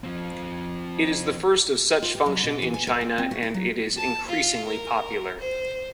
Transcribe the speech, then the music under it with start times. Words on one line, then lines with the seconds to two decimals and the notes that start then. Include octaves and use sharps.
It is the first of such function in China, and it is increasingly popular.
0.04 F3 C4
2.02 F4
2.15 G4
2.26 F#3
2.43 B2
2.62 E3
2.74 G#5
2.87 A#4
3.01 A2
3.18 C4
3.31 F#4
3.43 E4
3.54 F#3
3.97 A5
4.28 F4
4.67 A#4
5.39 C5